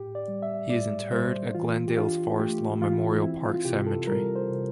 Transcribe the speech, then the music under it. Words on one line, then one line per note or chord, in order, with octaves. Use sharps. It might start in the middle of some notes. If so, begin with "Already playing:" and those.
He is interred at Glendale's Forest Lawn Memorial Park Cemetery.
Already playing: A2 G4
D5
G3
E5
A2 D5
G3 C5
E3 F4
G4
D4 F4
A3 G4
E3 F4
C4 E4
F4
C3 G4
A4
G3 A#4
C5
C3